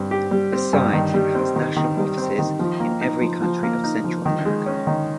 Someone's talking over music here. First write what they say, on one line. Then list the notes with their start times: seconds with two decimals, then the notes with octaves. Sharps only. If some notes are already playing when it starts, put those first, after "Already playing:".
Besides it has national offices in every country of Central America.
Already playing: G2 C4
0.11 G4
0.31 G3
0.53 C4
0.73 G2
0.93 D#3
1.14 G3
1.35 C4
1.56 D#3
1.76 D#3
1.97 G3
2.17 C4
2.38 D#3
2.59 F3
2.80 A#3
3.01 D#4
3.21 F3
3.42 F3
3.63 A#3
3.84 D#4
4.04 F3
4.26 D#3
4.46 G#3
4.66 C#4
4.87 D#3